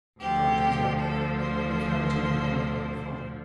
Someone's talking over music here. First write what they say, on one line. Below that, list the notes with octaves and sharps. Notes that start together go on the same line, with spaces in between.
The cottage was let, and the cow taken home by their father.
D2 D3 F3 G4
A4
C5